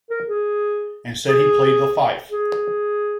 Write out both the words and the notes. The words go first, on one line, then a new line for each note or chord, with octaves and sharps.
And said he played the fife.
A#4
G#4
G#4
G#4